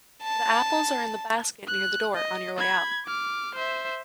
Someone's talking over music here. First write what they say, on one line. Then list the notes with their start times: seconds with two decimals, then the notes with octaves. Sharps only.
The apples are in the basket near the door on your way out.
0.23 A5
1.67 F#6
2.15 D#5
2.57 B5 G#6
3.06 D6 F6
3.55 C5 E5